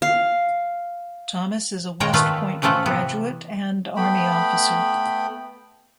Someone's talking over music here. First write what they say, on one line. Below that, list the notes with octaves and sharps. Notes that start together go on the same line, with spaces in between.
Thomas is a West Point graduate and Army officer.
F5
A#2 D#3 G#3 C#5 G5 A#5
D#3 A3 F4 B4
A2 E3 A3 F4 C5 F#5
C3 B3
A3 B3 G5 B5